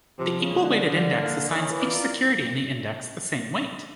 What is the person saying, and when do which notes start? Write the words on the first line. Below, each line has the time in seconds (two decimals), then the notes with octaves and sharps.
The equal-weighted index assigns each security in the index the same weight.
0.19 C3 F3
0.41 C#3
0.51 G#3 B3
0.62 D3
0.84 D3 G3
1.16 A#3 D4
1.49 D#3 C#4
1.71 E3
1.82 F4 A#4 D5